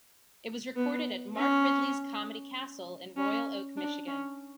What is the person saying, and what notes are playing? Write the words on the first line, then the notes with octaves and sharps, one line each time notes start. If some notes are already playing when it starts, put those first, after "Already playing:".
It was recorded at Mark Ridley's Comedy Castle in Royal Oak, Michigan.
B3
C#4
C#4
D4
C#4